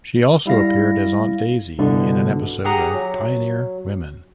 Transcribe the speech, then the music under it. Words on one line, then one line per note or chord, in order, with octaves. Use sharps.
She also appeared as Aunt Daisy in an episode of "Pioneer Women".
G3 E4 F5 A#6
C2 G2 B2 D3
G4 G#4 F#5 A#5
F#3